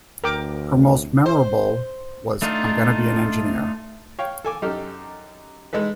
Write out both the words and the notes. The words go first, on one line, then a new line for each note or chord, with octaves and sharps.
Her most memorable was "I'm Gonna Be an Engineer".
D2 A#4 G5 D6
C5
A3 D4 D#4 F4
C#5 F5 G5
A4 G#5 D6
F#2 D#4 G4 A4 F6
G#3 D#4 A4 B4